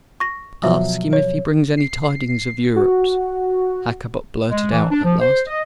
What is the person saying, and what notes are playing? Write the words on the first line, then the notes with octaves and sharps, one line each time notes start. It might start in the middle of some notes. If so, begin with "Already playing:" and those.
"Ask him if he brings any tidings of Europe," Hakkabut blurted out at last.
C#6 A#6
B2 F3 F#3 E5
C#5
C7
F#4
G#3
E3
D4
F3
C5
D#5